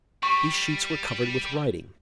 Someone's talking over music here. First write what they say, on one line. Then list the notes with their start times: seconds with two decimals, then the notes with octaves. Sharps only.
These sheets were covered with writing.
0.23 G3 C#6